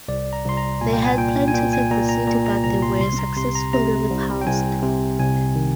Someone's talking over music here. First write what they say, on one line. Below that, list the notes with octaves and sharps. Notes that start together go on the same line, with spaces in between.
They had planned to take the city but they were successfully repulsed.
C2 D5
A#5
C2 C6
A#5
A#2 G#5
G5
G#5
A#2 G5
G#5
A#2 G5
G#5
A#2 A#5
A#5
A#2 A#5
A#5
C2 A#5
C6
C2 C6
A#5
C3 C6
A#5
C3 A#5
C2
G5
C2 G#5
C3
C2 G#5
D#3